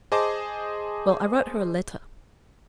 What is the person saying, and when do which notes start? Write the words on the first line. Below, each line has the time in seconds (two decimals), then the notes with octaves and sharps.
Well, I wrote her a letter.
0.12 G#4 C5 D#5 A5 D6